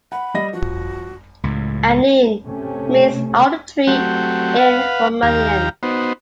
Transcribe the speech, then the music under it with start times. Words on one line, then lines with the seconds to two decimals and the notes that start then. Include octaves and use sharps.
"Anin" means "alder tree" in Romanian.
0.12 F#5 B5
0.34 G3 D#5 A#6
0.53 F3 F#4
1.43 C#2 A2
2.46 C3 A3 C#4
3.87 F#3 A3 C4 F#4 G4
4.58 B4 F5 F#5
5.23 D#2 G4 F5 A#5
5.83 B3 D#4 F#4 C5